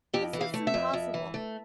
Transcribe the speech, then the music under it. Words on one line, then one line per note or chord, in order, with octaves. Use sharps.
This was impossible.
F2 G4
E3
F5
A3
E5
F2
F2
E3
A3